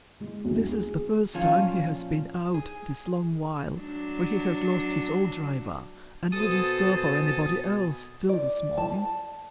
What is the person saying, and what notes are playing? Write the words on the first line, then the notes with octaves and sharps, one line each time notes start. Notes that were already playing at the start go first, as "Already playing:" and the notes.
This is the first time he has been out, this long while, for he has lost his old driver and wouldn't stir for anybody else, till this morning.
G#3
D2
G#4
A#2 F3 C#4 F4
G#4
F#3 D4
B2 A4 C5 G#5 D#6 A6
D5
A5